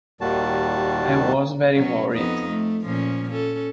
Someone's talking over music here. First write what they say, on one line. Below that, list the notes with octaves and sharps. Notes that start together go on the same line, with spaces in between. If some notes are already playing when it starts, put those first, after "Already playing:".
I was very worried.
D#2 A#2 D#3 G3 F#4 A5
B2 F#3 C#4
F2 B3 D#4
A3
A#2 F3 C#4
C#4 A4